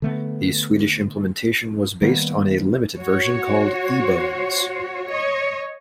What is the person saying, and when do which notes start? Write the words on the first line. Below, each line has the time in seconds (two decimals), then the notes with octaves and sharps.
The Swedish implementation was based on a limited version called eBones.
0.02 D3 A3 B3
2.02 D#3 G3 A#3 B3
2.99 F#4 C#5
5.08 C#5 D#5